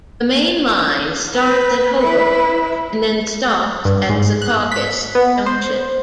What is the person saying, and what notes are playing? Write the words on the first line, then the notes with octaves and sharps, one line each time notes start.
The Main Line starts at Hoboken and then stops at Secaucus Junction.
B4
E4 B4
G2
G#2
F#6
B6
B3
C5